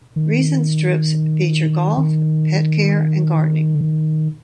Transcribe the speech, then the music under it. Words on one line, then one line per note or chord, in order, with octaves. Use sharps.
Recent strips feature golf, pet care and gardening.
D#3
D#3
D3
D#3